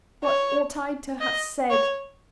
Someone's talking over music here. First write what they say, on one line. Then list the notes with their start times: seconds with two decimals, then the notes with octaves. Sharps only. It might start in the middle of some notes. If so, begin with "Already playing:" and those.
What ought I to have said?
0.24 C#5
1.21 D#5
1.70 C#5